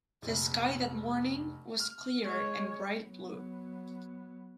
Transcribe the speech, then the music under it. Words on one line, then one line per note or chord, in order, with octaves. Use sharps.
The sky that morning was clear and bright blue.
F1 A#1
F6
G#3 C#5
F#3 B3